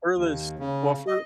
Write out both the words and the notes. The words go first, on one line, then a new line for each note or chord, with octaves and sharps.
Furthest well, fur
D#2
C#3
D#5